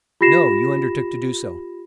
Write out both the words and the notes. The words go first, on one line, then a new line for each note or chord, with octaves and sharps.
"No!--you undertook to do so."
F4 G4 B5 A#6 C7 E7